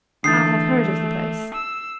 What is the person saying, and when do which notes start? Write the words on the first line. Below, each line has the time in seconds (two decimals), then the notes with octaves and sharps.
"I have heard of the place."
0.24 D3 E3 A3 D#6 G6 A6 C7
1.54 E6